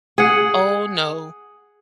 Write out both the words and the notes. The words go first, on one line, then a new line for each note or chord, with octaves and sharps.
oh no."
G#4 F#5